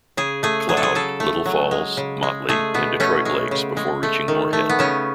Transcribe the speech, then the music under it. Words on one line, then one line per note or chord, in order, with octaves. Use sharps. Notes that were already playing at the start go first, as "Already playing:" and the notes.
Cloud, Little Falls, Motley, and Detroit Lakes before reaching Moorhead.
C#3 G#4
A3 G#4
F#3 G#4
A4
G#4
C#3 A4
A3
F#3
G#3
C#3
G#3
A3 G#4
B2 B3
A3 C#4
G#3
C#3
G#3
A3
D#3
A3
B3
C#3 C#4